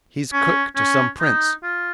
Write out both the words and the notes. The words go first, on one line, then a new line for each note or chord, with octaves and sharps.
"He's cook to some prince."
C#4
C#4
D#4
F4